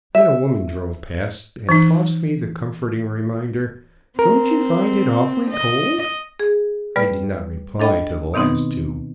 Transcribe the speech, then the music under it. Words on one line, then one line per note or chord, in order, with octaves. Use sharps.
Then a woman drove past and tossed me the comforting reminder: "Don't you find it awfully cold?" I did not reply to the last two.
E5
E3 D#4
C4 A#4
D#5
G#4
G3 B4 D5 B5 F6
D4 A4 D#5 G5 B5
B2 D#3 B3 C4 D#4